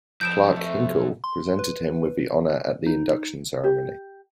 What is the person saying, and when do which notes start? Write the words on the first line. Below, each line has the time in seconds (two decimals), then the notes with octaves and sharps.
Clarke Hinkle presented him with the honor at the induction ceremony.
0.21 F2 G6 D7 E7
0.56 A3
1.24 C6
1.59 B4
2.86 D#4
3.64 G4